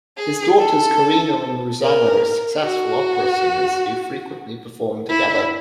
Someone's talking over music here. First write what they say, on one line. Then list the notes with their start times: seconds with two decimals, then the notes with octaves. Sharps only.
His daughters Karina and Ruzanna are successful opera singers who frequently perform together.
0.17 G#4
0.58 A4
1.81 A#4
2.63 F#4
5.09 E4